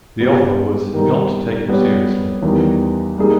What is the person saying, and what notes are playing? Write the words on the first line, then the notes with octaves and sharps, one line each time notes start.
The offer was "not taken seriously".
G2 G3 B3 G4
D#3 G3 B3 D#4 A#4
G3 B3 G4 C#5
E2 D#3 G3
G3 A#3 D#4 G#4